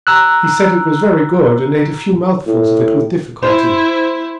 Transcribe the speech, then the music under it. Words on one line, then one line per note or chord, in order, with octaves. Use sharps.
He said it was very good and ate a few mouthfuls of it with difficulty.
A#5 E6 F#6
A2
E4 C5